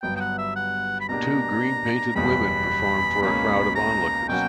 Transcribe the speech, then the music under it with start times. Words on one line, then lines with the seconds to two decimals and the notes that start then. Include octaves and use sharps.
Two green painted women perform for a crowd of onlookers.
0.02 G1 G2 F#3 B3 G5
0.16 G5
0.20 F#5
0.38 E5
0.56 F#5
1.01 B5
1.09 B2 A#3 D4 G4 A#5
2.15 F#1 E2 B2 G3 B5
3.22 C#2 B2 A#3 C#4 B5
3.75 A#5
4.28 B2 F#3 A#3 C#4 F#4 G5